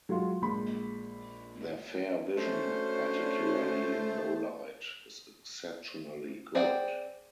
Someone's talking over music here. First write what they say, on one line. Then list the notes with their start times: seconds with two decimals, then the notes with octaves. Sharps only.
Their far vision, particularly in low light, is exceptionally good.
0.09 F#3 G#3 F4 F#4
0.42 A#1 G#3 B5
2.37 A3 C#4 D4 F#4 C5
6.55 C4 G#4 D5 F#5 G5